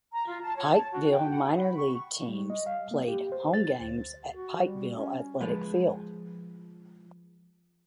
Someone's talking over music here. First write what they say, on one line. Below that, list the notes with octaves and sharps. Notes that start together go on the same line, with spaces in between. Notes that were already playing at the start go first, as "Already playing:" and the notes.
Pikeville minor league teams played home games at Pikeville Athletic Field.
A#5
F4
A5
C#5
A5
F#4
G5
F#5
B5
C#6
G3
D#5
F5
A#3
G4
C5
A6
D2
F#4
G3
C#4
F3 G#3 B4